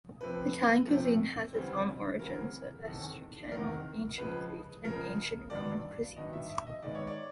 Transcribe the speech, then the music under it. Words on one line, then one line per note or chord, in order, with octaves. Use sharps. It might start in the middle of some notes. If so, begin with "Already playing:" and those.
Italian cuisine has its origins in Etruscan, ancient Greek, and ancient Roman cuisines.
F2 C3 F3 A3 C4 B4
F2 C3 F3 A3 C4
D2 C#3 E3 G3 C4
D2 C#3 E3 G3 C4 A#4
E2 C3 D#3 A4
E2 C3 D#3 A#4
C#2 C#3 F3 B4
C#2 C#3 F3 A#4
G2 D#3 F#3 B3 D4 D5
G2 D#3 F#3 B3 D4 D#5
E5
E5
D#5
G#2 D#3 G#3 B3 D5
C#5
D5